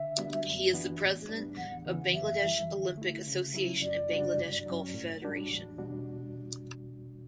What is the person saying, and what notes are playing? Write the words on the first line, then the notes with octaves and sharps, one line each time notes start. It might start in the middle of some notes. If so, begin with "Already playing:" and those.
He is the President of Bangladesh Olympic Association and Bangladesh Golf Federation.
Already playing: D3 E5
G3 B3 D4 F#4
F#2
E3 B3 D4 F#4
A2
G3 B3 D4
E2 F#5
C#3 E3 B3
F#2 E5
E3 G3
D3
A3 E4
C#3
F#3 C#4 E4
F#2 D5
C#3 G3 D4 F#4
G2
F#3 C#4
A2
G3 D4 F#4
E2
B2 G3 D4 F#4